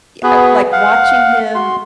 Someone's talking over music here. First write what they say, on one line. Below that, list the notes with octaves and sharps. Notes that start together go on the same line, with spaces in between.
y uh, like watching him,
B3 F#4 G#4 B4
F5 F#5
F#4 C6